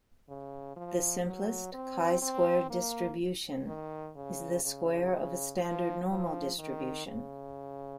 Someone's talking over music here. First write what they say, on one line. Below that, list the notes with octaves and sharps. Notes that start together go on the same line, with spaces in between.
The simplest chi-squared distribution is the square of a standard normal distribution.
C#3
F3
F#3
C4
C4
A#3
D#3
C#3
C#3
C#3
F3
F3
D#3
C#3